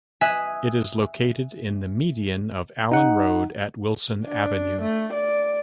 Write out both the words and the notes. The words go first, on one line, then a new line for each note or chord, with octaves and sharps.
It is located in the median of Allen Road at Wilson Avenue.
E5 G#5 D#6 F#6 B6
D#4 F#5
D4
A3
D5